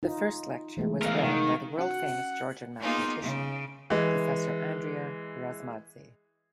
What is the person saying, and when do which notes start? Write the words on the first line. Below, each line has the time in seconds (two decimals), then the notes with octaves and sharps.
The first lecture was read by the world-famous Georgian mathematician Professor Andria Razmadze.
0.03 D#4 F4
0.77 E3 G#3 A3
1.02 E3 B3 A#4 F5
1.23 C3 D#3 A3 F#5
1.79 C#4 F#4 F#5
2.79 A#3 B3 D#4 F4 G#4
3.21 C#3
3.90 E3 G#3